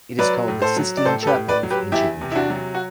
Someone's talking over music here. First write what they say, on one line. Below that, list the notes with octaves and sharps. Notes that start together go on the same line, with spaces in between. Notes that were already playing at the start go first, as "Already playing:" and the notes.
It is called the Sistine Chapel of Ancient Egypt.
F#3 B4 D5
A2
A4 C5
F#3
D5
A2 A4 C5
A4
G4 B4
A2
B4 D5
F#3
G4 B4
E2 E4 G4
C3
E4
D4 F#4
F#3
F#4